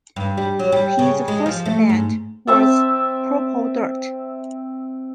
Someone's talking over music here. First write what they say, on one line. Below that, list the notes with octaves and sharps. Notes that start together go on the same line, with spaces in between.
His first band was Purple Dirt.
G2
G3
F#3
G3
C#3
G#3
F3
A3
G#2
C4 E5 A5